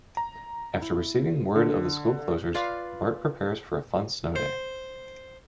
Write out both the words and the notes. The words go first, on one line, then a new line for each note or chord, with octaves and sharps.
After receiving word of the school closures, Bart prepares for a fun snow day.
A#5
E4
D3
F4 B4 D5 F5
C5